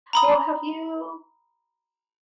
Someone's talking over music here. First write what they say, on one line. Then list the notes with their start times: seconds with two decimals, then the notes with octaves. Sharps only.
Well, have you
0.13 A#5 B5 D#6